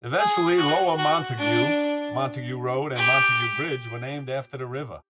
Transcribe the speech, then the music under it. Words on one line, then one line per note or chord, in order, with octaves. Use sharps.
Eventually Lower Montague, Montague Road and Montague Bridge were named after the river.
G#4
F#4
F#4
D4
G4